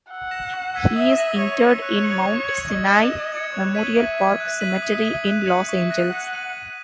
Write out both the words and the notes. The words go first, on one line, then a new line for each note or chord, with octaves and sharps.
He is interred in Mount Sinai Memorial Park Cemetery in Los Angeles.
F#5 E6
A#6 E7
C#6
E6 G#6 B6 D#7
E5 D#6
A#6 D#7 F#7
C#5 D#6
A#6 C#7
C#5 F#6
C#7 F#7
C#6
G#6 C#7 F#7
D#5 G#6
C#7 E7
D#6
G#6 C#7
C#5 F#6
B6 D#7 F#7
E5 C#6
G#6 B6
E5 F#6
B6 D#7 F#7
D#6
G#6 D#7 F#7
F#6
C#7 F#7
E5 C#6
F#6 A#6 D#7
F#5 G#6
D#7 F#7
F#6